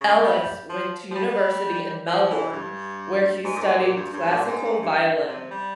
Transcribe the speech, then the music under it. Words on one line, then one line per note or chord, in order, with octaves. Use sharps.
Ellis went to university in Melbourne, where he studied classical violin.
C#3
G3
F3
F3
G3
F3
E3
G2
G#2
A#2
G#2
A#2
G2
G2
A#2
G#2
G#2
G2
C3
G3